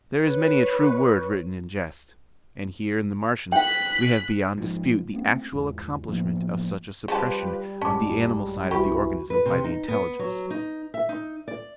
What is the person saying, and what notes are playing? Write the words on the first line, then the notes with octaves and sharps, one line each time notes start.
There is many a true word written in jest, and here in the Martians we have beyond dispute the actual accomplishment of such a suppression of the animal side of the organism by the intelligence.
B4 C#5
G5 F#6 B6
G#2 F3
A3 A#3 C4 C#4
E2 G#2
A2 F3 A#3 B3
C#3 F3 G3 F4 G4 B4 A5
A1 F#2 G#3 C#4 A5 D6
C2 E3 F#4 G4 B5 C#6
B4
C3
D#4
B3
F#3
D#4
E5
D#4
D5